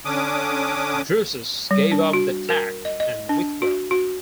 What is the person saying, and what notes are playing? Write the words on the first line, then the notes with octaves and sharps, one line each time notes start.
Drusus gave up the attack and withdrew.
D3 C#4 D4 D6 D#6
G3
D4
F#4
A#4
D#5
D#5
D4
F#4
F#4